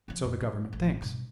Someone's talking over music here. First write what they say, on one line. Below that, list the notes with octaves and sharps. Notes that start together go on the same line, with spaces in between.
So the government thinks.
F3 A#3
F2
F#3
A1
G2 B2